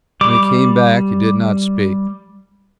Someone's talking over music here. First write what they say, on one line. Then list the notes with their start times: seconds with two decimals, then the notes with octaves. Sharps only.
When he came back, he did not speak.
0.21 G3 D6